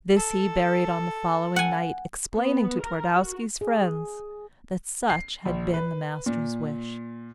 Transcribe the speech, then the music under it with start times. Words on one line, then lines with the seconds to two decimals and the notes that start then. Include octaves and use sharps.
This he buried on the following night, explaining to Twardowski's friends that such had been the master's wish.
0.17 A4
1.56 F#5 G#5
2.35 B3
2.82 A#4
3.15 F#4
3.61 G#4
5.10 C7
5.45 A#1
5.74 B4
6.26 A#2